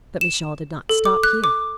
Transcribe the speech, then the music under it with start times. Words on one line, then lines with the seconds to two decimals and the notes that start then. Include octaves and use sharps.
But Michal did not stop here.
0.21 E7
0.89 A4
1.05 D6
1.23 F#6
1.44 D6